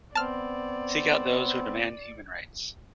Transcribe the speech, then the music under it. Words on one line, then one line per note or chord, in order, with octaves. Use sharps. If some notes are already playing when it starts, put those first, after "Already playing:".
Seek out those who demand human rights.
B3 C4 D5 A5 F6